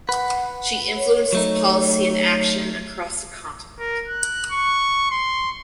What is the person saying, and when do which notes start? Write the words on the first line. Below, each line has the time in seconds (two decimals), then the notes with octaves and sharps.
She influences policy and action across the continent.
0.09 B4 F#5
0.96 C#5
1.33 F#3 A3 D#4
3.79 A#4
4.08 F#6
4.52 C#6
5.11 C6